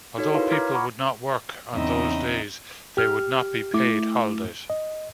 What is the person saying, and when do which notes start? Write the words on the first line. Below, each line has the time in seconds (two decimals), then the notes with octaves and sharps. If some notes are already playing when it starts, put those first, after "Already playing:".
Although people would not work on those days, they would not be "paid" holidays.
0.18 D#4 F#4 A4 C#5
0.34 E4 A#4 B4 C#5 F5 C6
0.50 A#5 D6 F6 G#6 B6
0.74 F#5 A#5 B5 C#6 D6
1.73 E2 C#3 C4 D#4 D#5 E5
2.97 G4 F6
3.74 A3 E4 D6
4.70 D#5